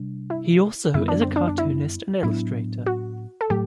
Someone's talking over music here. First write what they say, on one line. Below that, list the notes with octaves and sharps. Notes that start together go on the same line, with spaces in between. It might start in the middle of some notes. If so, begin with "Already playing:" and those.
He also is a cartoonist and illustrator.
Already playing: C3 G3 D4
E4
F#2 D3 G3 B3 E4
D4
C4
D4
D4
E4
A2 F#3 B3 D4 E4
F#4
A4
A2 F#3 A3 G4